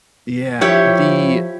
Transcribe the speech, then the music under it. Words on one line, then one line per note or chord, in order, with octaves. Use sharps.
Yeah, the
F3 E4 G4 C#5